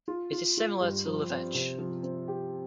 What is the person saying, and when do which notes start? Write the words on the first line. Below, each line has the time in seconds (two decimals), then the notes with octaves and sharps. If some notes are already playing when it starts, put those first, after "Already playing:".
It is similar to the Leveche.
0.08 F4
0.32 F4
0.57 F4
0.81 G2
1.06 F3
1.30 C4
1.54 C3
1.79 F3
2.03 C4
2.28 G4